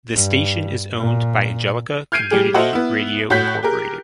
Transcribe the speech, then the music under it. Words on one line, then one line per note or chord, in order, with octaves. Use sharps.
The station is owned by Angelica Community Radio Inc.
G2
A#2
F6 G6 G#6 C7 D7 D#7
G3 G4 G#4
F#4 A4 C5 D#5 E5 F#5
B3 E4
A2 F#4 C#5 F#6 G6 B6
G4 G#4 A#4